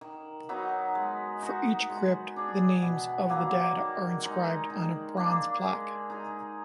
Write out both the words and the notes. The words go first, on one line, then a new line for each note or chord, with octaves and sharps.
For each crypt the names of the dead are inscribed on a bronze plaque.
D#3
F#3 B3 D#4
G#3
D#4 F#4
G#3
D4 G#4
B2
F#3 A#3
D#3
G#3 D#4
D#3
A#3 D4
G#3
D#4 G#4